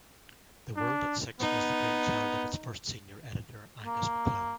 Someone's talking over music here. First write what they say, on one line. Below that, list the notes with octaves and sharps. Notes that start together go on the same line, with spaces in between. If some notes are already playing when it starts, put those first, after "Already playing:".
"The World at Six" was the brainchild of its first senior editor, Angus McLellan.
D4
B3 D#4
A#3